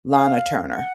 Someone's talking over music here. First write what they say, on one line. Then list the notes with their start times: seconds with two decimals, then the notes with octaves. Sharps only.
Lana Turner.
0.11 F5
0.73 F#5